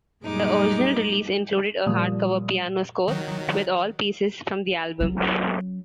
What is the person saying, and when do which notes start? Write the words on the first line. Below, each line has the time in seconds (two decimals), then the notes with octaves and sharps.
The original release included a hard-cover piano score with all pieces from the album.
0.24 F#2 A#2 G3 G#3 D#4 D6
1.86 A#2 F3 G3 D#6
3.08 D#3 F#3
5.00 F#3 C#4